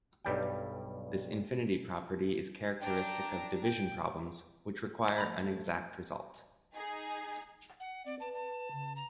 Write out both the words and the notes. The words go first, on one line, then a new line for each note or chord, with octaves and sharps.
This infinity property is characteristic of division problems which require an exact result.
B1 G2 G3 G5
D4 G5 A#5
G5
F3 A3 A#5 B5
D#4 G#4
F#5
C4 D5
B4 A5
A5
C#3
A#5